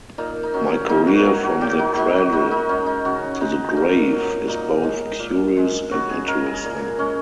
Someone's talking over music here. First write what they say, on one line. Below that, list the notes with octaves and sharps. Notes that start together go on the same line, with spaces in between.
My career from the cradle to the grave is both curious and interesting.
A#2 D#4
D#4
F#3 C#4
A#2 D#4
F#4
F#3 G#4
F#4
A#2 F#4
D#4
G#3 D#4
F#4
A#2 D#4
D#4
G#3 C#4
D#4
C#3 F#4
G#3 D#4
A#2
F#3
A#2 D#4
G#3
A#2
G#3
C#3 F#4
G#4
G#3 A#4
G#4
A#2
G#3 C#4